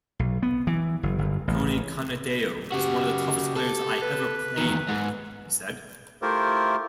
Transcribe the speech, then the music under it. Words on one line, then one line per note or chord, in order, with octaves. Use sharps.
"Tony Canadeo is one of the toughest players I ever played with," he said.
B1
B3
E3
F#1
G1
A1
C#3 F#4 G4
A4
B4
E2 D#3
G#2
A3 E4 F4 G4 A#4 C5